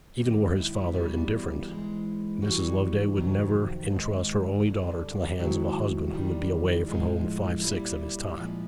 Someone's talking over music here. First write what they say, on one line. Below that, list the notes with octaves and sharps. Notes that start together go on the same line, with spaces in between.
Even were his father indifferent, Mrs. Loveday would never intrust her only daughter to the hands of a husband who would be away from home five-sixths of his time.
F#2 D#3 G#3 A#3
E4
E2 B2 G3
G#2 E3 G#3
G2 E3 G3 F#4
F2 C3 D#3 F#3
G#2 D#3 G#3
F#2 D3 G3
G#2 D#3 F#3 E4
G2 D#3 G3
A2 F3 G#3
A#2 G3 E4
A#2 F3 G#3